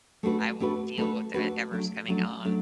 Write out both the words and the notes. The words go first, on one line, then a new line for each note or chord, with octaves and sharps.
I will deal with, er, 'ever's coming on
A3 D4 F#4 B4
A3 D4 F#4 B4
A3 D4 F#4 B4
A3 D4 F#4 B4
F#3 A3 D4
F#3 A3 D4
F#3 A3 D4